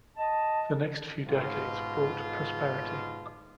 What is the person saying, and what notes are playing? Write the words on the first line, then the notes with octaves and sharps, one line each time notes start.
The next few decades brought prosperity.
D#5 A5
G#2 B2 F4